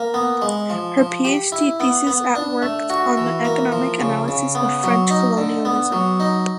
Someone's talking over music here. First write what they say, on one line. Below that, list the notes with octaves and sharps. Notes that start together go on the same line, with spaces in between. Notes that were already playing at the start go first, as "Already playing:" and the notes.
Her PhD thesis at worked on the economic analysis of French colonialism.
Already playing: A#3
B3
G#3
F3
F3
G4
E4
B3
B3
D4
A3
F#4
E3
A#3
F3
C#3
C#3
B3
F#3
D#4
D3
B3
F#3
D#4